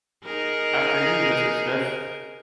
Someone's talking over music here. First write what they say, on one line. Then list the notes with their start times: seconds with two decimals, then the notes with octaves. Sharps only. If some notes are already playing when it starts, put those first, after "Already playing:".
After you, Mr. Smith!
0.25 D#4 G#4 A#4